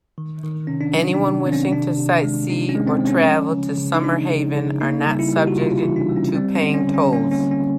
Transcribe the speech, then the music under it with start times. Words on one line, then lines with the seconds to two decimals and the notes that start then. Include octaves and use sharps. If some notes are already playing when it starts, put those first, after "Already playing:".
Anyone wishing to sightsee or travel to Summerhaven are not subjected to paying tolls.
0.18 D#3
0.43 D#3
0.67 C3 C#4
0.81 D4
0.94 F#3 D#4
1.14 D4
1.20 C3
1.46 D#3 C4
1.52 C#4
1.72 C3 D4
1.97 C3
2.24 G#3
2.49 C3 D#4
2.69 C#4
2.75 G#3
2.87 C4
3.01 G#3
3.07 C#4
3.26 F3
3.52 C#3
3.78 C#3
3.94 D#4
4.04 C#3 D4
4.29 C#3
4.55 C#3
4.81 A#3 D#4
5.07 G3
5.19 E4
5.32 G3 G4
5.47 F#4
5.58 C3 F4
5.77 E4
5.84 E3
5.96 D4
6.09 G3
6.16 C#4
6.35 G3 C4
6.55 C#4
6.61 D3
6.74 C#4
6.87 D3
6.94 C#4
7.13 A#3 C#4
7.31 C#4
7.39 D3
7.51 C#4